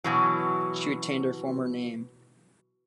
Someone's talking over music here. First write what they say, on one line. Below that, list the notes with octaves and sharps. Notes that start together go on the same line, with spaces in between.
She retained her former name.
B2 E3 F#3